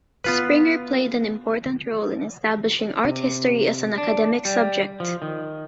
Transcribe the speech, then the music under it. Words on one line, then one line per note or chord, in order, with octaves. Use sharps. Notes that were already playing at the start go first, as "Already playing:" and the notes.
Springer played an important role in establishing art history as an academic subject.
B3 F4 B4
C3
D4
G3
F3
D#3